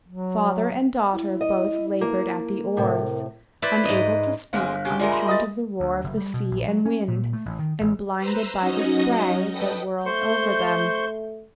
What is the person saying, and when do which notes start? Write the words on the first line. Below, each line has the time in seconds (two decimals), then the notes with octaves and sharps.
Father and daughter both labored at the oars, unable to speak on account of the roar of the sea and wind, and blinded by the spray that whirled over them.
0.08 F#3
1.13 E4
1.41 D#5
2.01 A#3
2.77 A2 C3 A#4
3.62 E4 B4 C5 D5
3.85 G#2 D#5
4.53 G1 G#3 A#3 C4 F5 F#6
4.85 C#3 G4
4.99 G3 G#3 F4 A#4 D5 E5
5.12 B5 C6
5.27 D#5 D#6 A6
5.80 D2
6.04 F#1
6.17 G3
6.34 B2
6.51 A#1
6.68 F#3
6.86 C#4
7.08 A#2
7.33 A3
7.46 A1
7.59 D#3
7.81 A1
8.17 B4 C5 A#5 E6
8.59 F#3 C#4 D#4 F#4 D#5 A#6
9.50 A4 B4 D#5 G5 D#6
10.06 A3 C5 C#6 G6